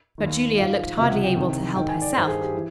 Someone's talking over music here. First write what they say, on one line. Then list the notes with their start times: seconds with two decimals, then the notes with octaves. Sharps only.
But Julia looked hardly able to help herself.
0.18 D#2 D#3
0.58 G#2 F3 F5
0.98 C#2 C3 F3 E5
1.10 F#5
1.24 G5
1.36 C2 C3 D#3
1.75 G#2 D#3 G5
1.89 G#5
2.02 D5
2.15 G2 D#3 C5
2.28 G#4
2.41 G4
2.55 E3